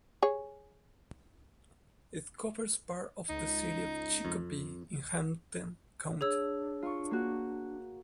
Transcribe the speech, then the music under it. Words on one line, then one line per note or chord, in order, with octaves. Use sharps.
It covers part of the city of Chicopee in Hampden County.
G#4 C#5
C#2 D#4
F2
D4 G#4 C#5 E6
F4 C#6
A#3 F#4